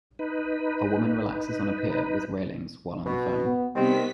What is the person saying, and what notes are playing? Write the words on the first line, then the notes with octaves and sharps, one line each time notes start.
A woman relaxes on a pier with railings while on the phone.
D#4 B4
B2
B3
C3 D#3 G3 B3 C4 B6